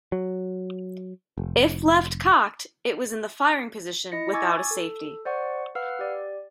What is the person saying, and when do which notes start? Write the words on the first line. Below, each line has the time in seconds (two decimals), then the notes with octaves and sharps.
If left cocked, it was in the firing position without a safety.
0.12 F#3
1.38 F1
4.12 E4 D#5 A#6 C#7
4.33 G#5 C#6 D6 E6 G#6 A6
4.71 A4
5.25 C5 D5 F#5 C#6
5.75 B4 F5 F#5 E6 F6
5.99 G4 D5